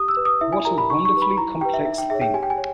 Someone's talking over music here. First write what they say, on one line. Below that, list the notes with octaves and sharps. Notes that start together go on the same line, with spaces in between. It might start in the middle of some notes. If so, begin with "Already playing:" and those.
What a wonderfully complex thing!
Already playing: G4 D#6
E6
B4
D#6
E4 E5
G#5
G4 A#4 A#5
B5
D#4 C#6
C#6
G4 B4
B5
E4 A#5
G4 B4 G5
E5
D#4 E5
G5
G#4 C#5 E5
G5
G4 G#5
G5
G#5
C#5